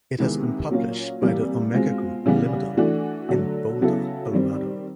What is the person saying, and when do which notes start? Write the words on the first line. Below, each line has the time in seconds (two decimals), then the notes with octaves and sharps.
It has been published by the Omega Group Limited, in Boulder, Colorado.
0.18 C3 D#3 G#3 B3 E4
0.71 A#2 F#3 A#3 C#4 F4
1.21 C3 E3 G3 A#3
1.74 B2 G#3 C4 F4
2.26 C#3 E3 G3 B3
2.77 E3 A3 D4 F#4
3.29 D3 F#3 A3
3.81 C#3 F#3 B3 E4 A4
4.33 D#3 G3 C4